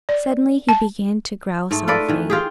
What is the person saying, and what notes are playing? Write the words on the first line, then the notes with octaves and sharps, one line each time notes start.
Suddenly he began to growl softly.
D5
A5
G#2 A3
F4 A4 B4 D5
D#3 E3
F4 G4 G#4